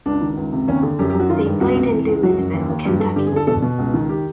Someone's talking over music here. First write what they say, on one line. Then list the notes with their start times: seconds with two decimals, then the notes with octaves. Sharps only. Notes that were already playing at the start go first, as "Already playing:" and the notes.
They played in Louisville, Kentucky.
0.06 C#2 D4
0.21 D#3
0.37 C#2
0.52 C3
0.68 D#2 C#4
0.83 D3
0.99 F#2 G4
1.10 G4
1.14 F#2
1.20 F#4
1.29 D#3 F4
1.46 G2
1.60 C#2 F#4
1.77 C3
1.92 E3
2.07 C#2
2.23 F#2 F#4
2.38 F#2
2.54 D#2
2.70 D#2
2.85 G2 G4
3.00 G2 A4
3.16 D3 G4
3.26 G#4
3.32 D3 A4
3.47 B2 A4
3.62 B2
3.78 C#2
3.94 D#3
4.09 G4